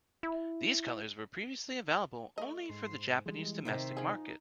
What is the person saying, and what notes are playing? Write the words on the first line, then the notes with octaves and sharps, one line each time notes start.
These colours were previously available only for the Japanese domestic market.
E4
A3 D#5
G#2 C6
E3 G3 G#3
C3 D#3 D#4 E5 C6
F3 G#4